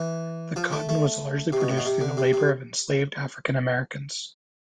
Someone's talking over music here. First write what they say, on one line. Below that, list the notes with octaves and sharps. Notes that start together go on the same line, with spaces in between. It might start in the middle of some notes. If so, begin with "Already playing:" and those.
The cotton was largely produced through the labor of enslaved African Americans.
Already playing: E3
F3
A3
A3
C3
B2
A2
B2
C3
D3
C3
C3